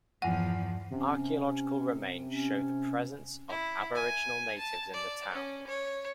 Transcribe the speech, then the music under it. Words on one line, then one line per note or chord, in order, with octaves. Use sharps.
Archaeological remains show the presence of aboriginal natives in the town.
E2 G2 F3 F#5
C3 C#4
C#4
E4
G#5
A5
D5
C#4
C#5